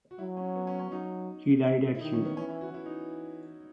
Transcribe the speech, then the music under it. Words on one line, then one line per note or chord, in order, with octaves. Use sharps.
He died at Huy.
F#4
F#3 E4
C#4
B3
C#4
C#4
F#3 D#4
E4
D#3 D#4
C#4
B3
E3 C#4
E4
F#4
E3 E4
D#4